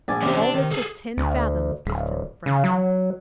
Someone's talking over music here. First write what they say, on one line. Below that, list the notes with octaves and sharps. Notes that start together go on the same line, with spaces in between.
All this was ten fathoms distant from him.
A#1 D5 G#5
C3 E3 C#4 D4 D6
D4
D#3
G#4 A4
D2
D1
C#3
F#3